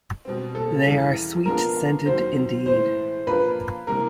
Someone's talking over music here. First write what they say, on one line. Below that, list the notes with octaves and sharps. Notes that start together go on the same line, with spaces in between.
They are sweet scented indeed.
B2 G3 C4
A4
E2 C#3 E3 G3
F3 G#3 B3 D4 F4 A#4
D#2 D#3 F#3 C5
A2 E3 G#3 C5
F3 A#3 D4 F4 A#4 B4
C3 E3 G3 A#3 A#4